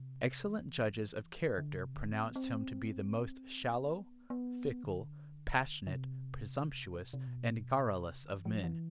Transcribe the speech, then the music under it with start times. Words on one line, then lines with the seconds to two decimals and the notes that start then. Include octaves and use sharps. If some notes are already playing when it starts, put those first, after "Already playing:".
Excellent judges of character pronounced him to be the most shallow, fickle, passionate, presumptuous, and garrulous of men.
Already playing: C3
0.49 E3
1.33 F3
1.46 E3
1.58 D3
1.76 C3
1.94 D3
2.13 C4
2.25 B3
2.36 C4
3.75 B3
4.30 B3
4.84 D3
5.87 D3
5.92 C3
7.01 B2
7.13 C3
7.27 B2
8.10 C3
8.23 D3
8.28 E3
8.45 F3
8.64 E3